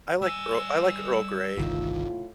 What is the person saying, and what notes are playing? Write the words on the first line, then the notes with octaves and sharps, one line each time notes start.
I like Earl I like Earl Grey.
G3 G#5 E6
G1 C2 A2 D#3 F4